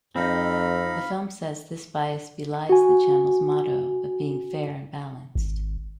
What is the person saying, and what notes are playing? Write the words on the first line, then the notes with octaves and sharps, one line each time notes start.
The film says this bias belies the channel's motto of being "Fair and Balanced".
F2 C4 D#4 F5 B5
F#4 G#5
G#1